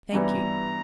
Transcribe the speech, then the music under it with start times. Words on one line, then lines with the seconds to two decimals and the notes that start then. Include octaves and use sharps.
Thank you.
0.13 G2 E3 G3 B3 E4 A#5